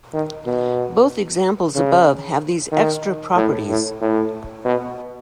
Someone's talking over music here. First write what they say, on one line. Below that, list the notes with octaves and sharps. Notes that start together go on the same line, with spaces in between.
Both examples above have these extra properties.
D#3
B2
C#3
D#3
A2
A2
A2
B2